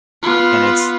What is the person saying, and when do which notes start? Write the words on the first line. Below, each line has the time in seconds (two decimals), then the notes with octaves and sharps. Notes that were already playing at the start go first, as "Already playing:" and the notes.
And it's
0.22 B3 F4